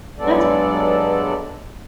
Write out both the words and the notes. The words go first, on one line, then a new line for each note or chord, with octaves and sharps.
That's crazy.
G2 F#3 G#3 B3 A4 D5